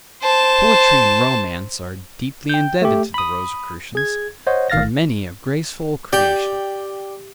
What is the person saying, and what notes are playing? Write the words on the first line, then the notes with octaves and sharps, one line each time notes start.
Poetry and romance are deeply indebted to the Rosicrucians for many a graceful creation.
C5 A5
G5 G6
A3 G4
B5 D#6
G#4 G#6
C5 C#5 D#5 F#5
A1 D#3 F5 F6 A6 A#6
G4 D5 G5